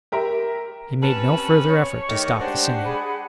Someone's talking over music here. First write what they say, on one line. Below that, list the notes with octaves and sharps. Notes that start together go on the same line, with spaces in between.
He made no further effort to stop the singing.
G4 A#4 E5 A#5
C3 C#4 B4 A5
C#5
D#3 A3 G4 D#5
G#3 D4 G4 C5 F#5
G#4 B5